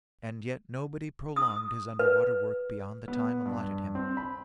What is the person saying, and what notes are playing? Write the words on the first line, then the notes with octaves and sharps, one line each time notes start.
And yet nobody prolonged his underwater work beyond the time allotted him.
D#6
B4
B3
G2
C4
B5